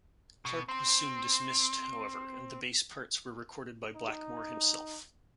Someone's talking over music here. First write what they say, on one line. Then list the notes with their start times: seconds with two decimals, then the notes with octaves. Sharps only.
Clarke was soon dismissed, however, and the bass parts were recorded by Blackmore himself.
0.45 B2
0.68 C4
3.96 D#4